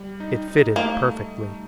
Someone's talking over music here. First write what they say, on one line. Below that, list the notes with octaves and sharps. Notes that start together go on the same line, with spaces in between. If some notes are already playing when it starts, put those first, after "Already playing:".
It fitted perfectly.
Already playing: G3
D#4
D#4
A3 A#3